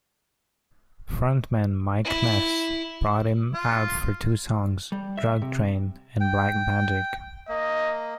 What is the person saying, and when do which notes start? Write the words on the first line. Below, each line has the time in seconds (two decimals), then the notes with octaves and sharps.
Frontman Mike Ness brought him out for two songs, "Drug Train" and "Black Magic".
2.05 E4
3.54 F4
4.92 G3
5.17 E5
5.42 C3
6.20 G5
7.49 A#3 D#5